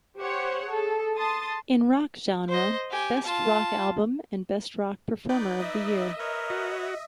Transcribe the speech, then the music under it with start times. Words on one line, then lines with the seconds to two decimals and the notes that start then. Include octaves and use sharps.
In Rock Genre : Best Rock Album and Best rock Performer of the Year.
0.18 G4 C5 C#5 F#5
0.64 G#4 A4
1.17 A5 C6 D#6 A6
2.48 C5 D#5
2.90 G4 G#5
3.23 F4 A5
5.29 D#4 B4 D5 G6
5.60 D#5 E5
6.19 A#4 B4 C#5
6.50 F#4